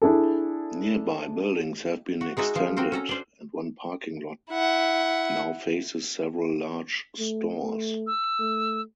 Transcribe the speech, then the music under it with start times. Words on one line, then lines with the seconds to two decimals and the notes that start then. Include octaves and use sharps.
Nearby buildings have been extended, and one parking lot now faces several large stores.
0.02 D4 E4 G#4 A4
2.21 F#4
2.37 G#3 D#4 F#4 E5
2.55 F3 F5
2.77 C4 F#4 A#4 C5
2.92 C#4 A4 A#5
3.09 D4 C5
4.51 E4 F#5
7.19 A3
7.60 A3
8.07 E6
8.39 A3